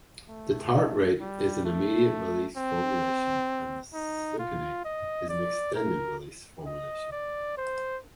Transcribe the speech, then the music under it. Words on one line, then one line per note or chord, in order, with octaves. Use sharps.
The tartrate is an immediate-release formulation and the succinate is an extended-release formulation.
A3
G3
A3
C4
D#4
F4
D#5
D5
A#4
D#5
D5
C5